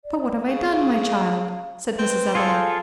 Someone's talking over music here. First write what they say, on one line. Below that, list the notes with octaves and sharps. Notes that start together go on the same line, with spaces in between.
"But what have I done, my child?" said Mrs. Evelyn.
D5
C#3 F5
C4 B4
F4 G#4 A4 F5